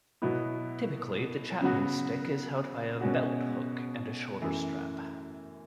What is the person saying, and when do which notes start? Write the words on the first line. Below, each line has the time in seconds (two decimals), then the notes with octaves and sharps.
Typically, the Chapman Stick is held via a belt-hook and a shoulder strap.
0.22 B2 F#3 B3 E4
1.61 C#3 F#3 B3 F#4
3.01 B2 G#3 C#4 F#4
4.41 F#2 E3 A3